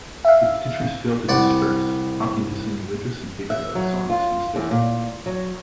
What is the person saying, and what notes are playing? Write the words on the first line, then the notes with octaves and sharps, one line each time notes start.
The petitioners failed to disperse, opting to sing religious and patriotic songs instead.
E5 F5
C2 D5 F#5
E5
F#3
F4
E2
A#2
F#3